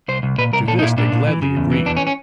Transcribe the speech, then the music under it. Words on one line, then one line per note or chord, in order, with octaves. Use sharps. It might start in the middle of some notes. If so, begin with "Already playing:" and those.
To this they gladly agreed.
C2 C5
C2
A#2 B4
C2 A#4
A#2 A4
D#4
A#2 E4
A#2 D4
A#2
E3
C#3
E2
E3
E2 D4
C#4
C#4